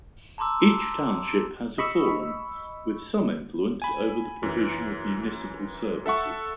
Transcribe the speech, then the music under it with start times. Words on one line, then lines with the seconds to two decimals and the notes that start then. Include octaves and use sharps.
Each township has a forum, with some influence over the provision of municipal services.
0.38 A5 A#5 C6 D6 E6
1.78 D#5 B5 C#6 E6
3.82 G#5 B5
4.43 F#2 E3
6.06 A4 E5 F#5 C#6